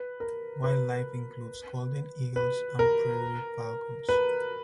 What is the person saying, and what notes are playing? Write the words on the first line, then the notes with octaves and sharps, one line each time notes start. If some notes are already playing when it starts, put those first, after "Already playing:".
Wildlife includes golden eagles and prairie falcons.
Already playing: B4
A#4
B4
B4
A#4
B4